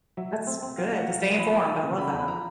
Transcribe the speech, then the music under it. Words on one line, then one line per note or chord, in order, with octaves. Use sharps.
That's good, to stay informed, I love that.
F#3 E5
A3
C4
C4
F#3 F5
A3 F#5
F#3
F#3
F3 B5
A#3 B5
A#3
C#3
C#3 B5
A#5
E2 B5
F3 A#5